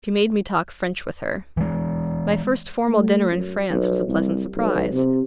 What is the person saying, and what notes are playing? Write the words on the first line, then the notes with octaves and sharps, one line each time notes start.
She made me talk French with her. My first formal dinner in France was a pleasant surprise.
E3 G#3
A3
F#2
B1
C2
B1
C3